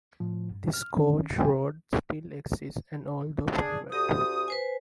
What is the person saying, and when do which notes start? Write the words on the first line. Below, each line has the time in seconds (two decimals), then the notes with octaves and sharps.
This coach-road still exists and although private.
0.20 A2 F3
0.50 G2
0.74 F6
0.95 D#3 C#4
1.39 G5 G#5
3.54 D4 G#4
3.92 D2 G4 D#6
4.48 B4 C5 G#5